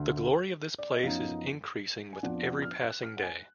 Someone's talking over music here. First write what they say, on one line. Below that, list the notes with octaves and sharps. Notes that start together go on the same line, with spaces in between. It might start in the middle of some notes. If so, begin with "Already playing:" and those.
The glory of this place is increasing with every passing day.
Already playing: D2 D3
D5
D#5
F#2 F3 B3 D#4 F5
G#5
F2 F3 B3 D4 F#5
F#5
F6
F#6
F6
F#5
G#5